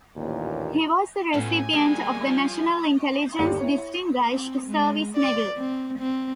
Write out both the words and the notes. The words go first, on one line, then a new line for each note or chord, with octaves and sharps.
He was a recipient of the National Intelligence Distinguished Service Medal.
A1 D#2 A#2
A2 B3 C#4 F4 A4 G#5
G3 G#3 A#3
F3
G1 D#2 G4 D5 C#7 D#7
E4 C#5
C4
G#3
D5
C4
C4